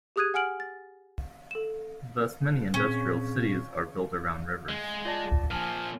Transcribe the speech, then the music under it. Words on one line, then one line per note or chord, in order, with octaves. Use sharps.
Thus many industrial cities are built around rivers.
G4 G#4 D#6 F#6 G#6 D#7
F#5 G#5 F6 D7 F#7
A6
A4 E7
A#2 C4 C#4 G#4
G#3
F4 D5 A5
A#2 F3 G#5 A5 F6